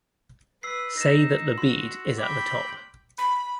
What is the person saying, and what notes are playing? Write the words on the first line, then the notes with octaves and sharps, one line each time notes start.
Say that the bead is at the top.
B4 E6 B6 C7
D#4 A#6 E7
F#4 C6
G5 B5 D6
B5